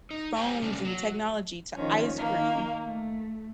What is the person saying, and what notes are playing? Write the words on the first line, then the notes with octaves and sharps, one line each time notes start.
phones and technology to ice cream.
D#4
G#3 G4 C5 G5 G#5 A#5
C3 G3 A3 A#3 C#4 D4
F#3
D#3 F3 C#4
D#3 A#3
A3